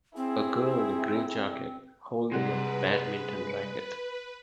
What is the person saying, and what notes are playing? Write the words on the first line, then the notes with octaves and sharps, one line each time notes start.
A girl in a gray jacket holding a badminton racket.
C4 E4 G#4
C3 G3 G#3 B4 F#5